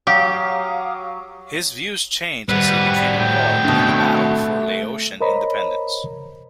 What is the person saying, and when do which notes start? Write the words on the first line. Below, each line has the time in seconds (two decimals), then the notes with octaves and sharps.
His views changed as he became involved in the battle for Laotian independence.
0.07 F#3 G4 F5 D6 D#6
2.49 G3 C4 F#4 B4
3.20 A2 G5
3.64 B2 D3 A3
5.21 A#4 C5 C#5 D#5 A#5 B5